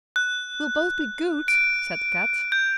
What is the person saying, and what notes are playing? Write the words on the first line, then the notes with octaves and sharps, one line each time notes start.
"We'll both be good," said Kat.
F#6
D7
G6